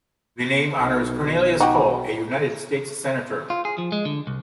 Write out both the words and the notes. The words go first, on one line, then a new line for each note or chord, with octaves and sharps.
The name honors Cornelius Cole, a United States Senator.
B1
D#4 F#4 G4
F4
G#4
F3
G#3
D3
C2